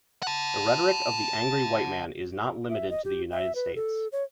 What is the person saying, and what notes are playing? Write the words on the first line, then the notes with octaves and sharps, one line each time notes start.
The rhetoric of the angry white man is not limited to the United States.
F#5 A5
E5
D#5
G4
E5
B4
A4
C#5